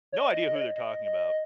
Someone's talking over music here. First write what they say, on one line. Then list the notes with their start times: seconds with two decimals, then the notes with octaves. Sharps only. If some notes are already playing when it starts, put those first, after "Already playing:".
No idea who they're talking about.
0.12 C#5
0.17 D#5
0.33 D#5
0.47 D#5
0.55 C#5
0.61 D#5
0.76 D#5
1.05 D#5